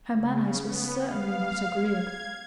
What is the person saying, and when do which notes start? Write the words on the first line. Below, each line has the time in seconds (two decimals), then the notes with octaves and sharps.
Her manners were certainly not agreeable.
0.13 C#3
0.56 B3
1.01 F5
1.74 G#6